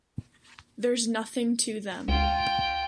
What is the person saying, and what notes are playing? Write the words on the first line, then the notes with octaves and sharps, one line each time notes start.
There's nothing to them!
C#2 F4 G5